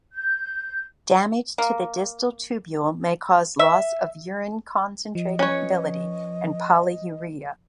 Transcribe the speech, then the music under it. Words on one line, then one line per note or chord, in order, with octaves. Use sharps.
Damage to the distal tubule may cause loss of urine-concentrating ability and polyuria.
G6
A#3
E5
F3 D#5
C#4 B4 C#5